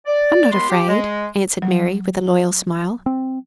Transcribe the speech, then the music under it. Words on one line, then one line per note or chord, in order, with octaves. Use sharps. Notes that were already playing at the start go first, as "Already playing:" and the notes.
'I'm not afraid,' answered Mary, with a loyal smile.
D5
D#2 G#3 B3 B5 C6
G4
G#3
F#3
C4